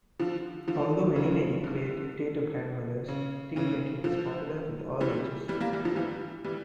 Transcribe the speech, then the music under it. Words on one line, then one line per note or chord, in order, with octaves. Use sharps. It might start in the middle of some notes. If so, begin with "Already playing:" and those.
Although many may equate tea to grandmothers, tea drinking is popular with all ages.
D3 F3
D3 F3
C#3 E3
D3
C#3
C#3 E3
D3 F3
E3 G3
E3 G3
G3 A#3
E3 G3
D3 F3
E3 G3
E3 G3